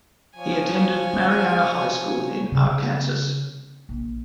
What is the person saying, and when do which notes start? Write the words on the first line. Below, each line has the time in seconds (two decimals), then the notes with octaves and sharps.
He attended Marianna High School in Arkansas.
0.37 F3 C#5 G#5
2.52 C#3 F#3
3.89 A#1